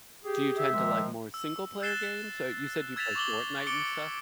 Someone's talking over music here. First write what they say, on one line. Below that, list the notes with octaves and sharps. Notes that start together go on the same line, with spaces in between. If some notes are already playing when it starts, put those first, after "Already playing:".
Do you tend to like more single-player games, or you said you play Fortnite and stuff?
G4 G#4
E5
D#3 F3 G#3
E6
E6 F#6 A6 C7 E7 G7
E6 G#6 A6 B6 E7 F7
C#6 D6 G#6 F#7 G7
D6 C#7 D7 G7